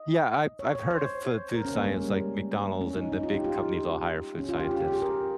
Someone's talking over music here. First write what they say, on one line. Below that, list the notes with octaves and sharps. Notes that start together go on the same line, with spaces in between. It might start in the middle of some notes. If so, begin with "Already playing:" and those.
Yeah, I've I've heard of f food science, like McDonald's and the big companies all hire food scientists.
Already playing: D#5
C#5
C#5
C5
A#4
C#4
A#3
G#3
G3
C#4
D#4
D#4
F4
G4
F4
C#4
F4
G4
F4
G4
G#4
A#4